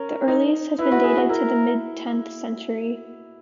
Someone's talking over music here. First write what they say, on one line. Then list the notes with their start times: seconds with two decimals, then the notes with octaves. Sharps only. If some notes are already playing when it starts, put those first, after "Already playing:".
The earliest has been dated to the mid-tenth century.
Already playing: C#4 A#4
0.28 D#4
0.79 E4 B4
0.91 F#4
1.04 G#4
1.17 F#4
1.29 E4 A#4